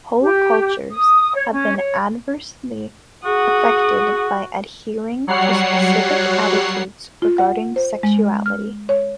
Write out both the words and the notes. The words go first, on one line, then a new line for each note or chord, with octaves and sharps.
Whole cultures have been adversely affected by adhering to specific attitudes regarding sexuality.
G4
D#6
C#5
C#4
C#5
F#4 G#4 F#5 D#6
F#3 G3 C#5 F#5 C7
F4
F#5
C5
G#3
F6
C#5